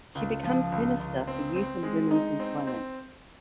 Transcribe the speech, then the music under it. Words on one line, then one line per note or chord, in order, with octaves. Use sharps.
She becomes Minister for Youth and Women's Employment.
C#2
F3
C#2
C#2
C4
C4
G#3
D#4
C4
C4